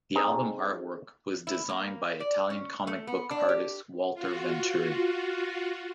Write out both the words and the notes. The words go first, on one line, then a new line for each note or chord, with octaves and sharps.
The album artwork was designed by Italian comic book artist Walter Venturi.
C4 D#4 G#4 A4
E4
A#3
D5
C#4
A3
B3
D4
G4
F4 F#4